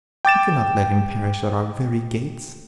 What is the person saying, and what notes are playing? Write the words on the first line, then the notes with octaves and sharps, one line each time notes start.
We cannot let him perish at our very gates.
G5 D6 A6 E7